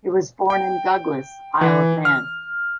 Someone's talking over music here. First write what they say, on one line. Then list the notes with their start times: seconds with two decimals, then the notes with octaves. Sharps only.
He was born in Douglas, Isle of Man.
0.50 G5
1.61 E3
2.05 F6